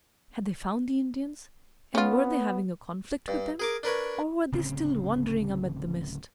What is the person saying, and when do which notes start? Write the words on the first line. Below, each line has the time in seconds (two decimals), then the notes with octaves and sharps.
Had they found the Indians, and were they having a conflict with them, or were they still wandering amid the mist?
1.95 B3 C#4 F4
3.28 G2
3.60 G#4 A#4 D6
3.83 D4 A#4 B4 C#5
4.52 D1 C#3 C4